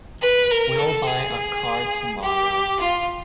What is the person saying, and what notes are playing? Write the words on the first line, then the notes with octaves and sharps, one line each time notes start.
We'll buy a car to-morrow.
B4
A#4
A4
G#4
G4
F4